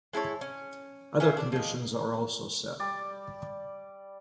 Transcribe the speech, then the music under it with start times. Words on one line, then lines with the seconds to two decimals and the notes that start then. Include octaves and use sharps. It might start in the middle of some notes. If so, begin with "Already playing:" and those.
Other conditions are also set.
0.13 G#3 E4 A4 C#5
0.41 C#4
1.20 C#4 F4 E5
1.37 D4
1.52 F3 G#3
2.80 G3 D5